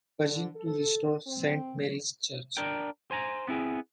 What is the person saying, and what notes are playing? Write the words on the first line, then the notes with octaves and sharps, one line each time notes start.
Pugin to restore Saint Mary's church.
D3
A4
C4
D4 A#4 G5
C5 G#5 A#5
B3 C4 E4 G#4